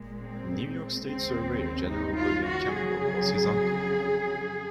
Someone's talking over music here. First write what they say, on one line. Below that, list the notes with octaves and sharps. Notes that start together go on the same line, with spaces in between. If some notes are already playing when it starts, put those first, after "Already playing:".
New York State Surveyor General William Campbell was his uncle.
Already playing: A#2 G#3
C4
D#2 C#3 G#3 C4
D#4
F4
F#4
F2 C#3 F#3 G#4